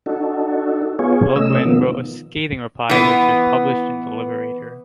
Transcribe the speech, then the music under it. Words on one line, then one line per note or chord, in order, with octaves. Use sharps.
Loguen wrote a scathing reply which was published in "The Liberator".
D4 D#4 F#4 A4
B3 F4 G#4 C#5
C3 A3 C#4 D#5 E6
B2 D#3 F3 A#3 B3
E3 B3